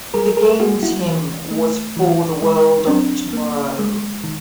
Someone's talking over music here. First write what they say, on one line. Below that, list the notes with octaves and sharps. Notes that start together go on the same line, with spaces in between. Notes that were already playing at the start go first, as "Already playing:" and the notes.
The games' hymn was "For the World of Tomorrow".
G3 G#4 A#4
G#4 A#4
A#3 F#4 G#4
E4 F#4
E3
A3
E3
G#3
F#3 C4 D4
A#3
G#3
D#3